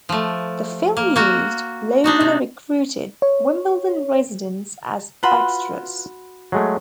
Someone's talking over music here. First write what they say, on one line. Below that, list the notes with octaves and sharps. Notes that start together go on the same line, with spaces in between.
The film used locally recruited Wimbledon residents as extras.
F3 A3
A#3
A#3 F#4
D4 D#4 F#4
C3
C#5
F4 F#4 B4 B5 C6
F#3 G#3 A3